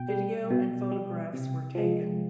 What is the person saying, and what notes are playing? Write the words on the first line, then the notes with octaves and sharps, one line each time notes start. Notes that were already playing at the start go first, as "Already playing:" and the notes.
Video and photographs were taken.
Already playing: B2 G5
G3
B2
G3
C3
F3 G#3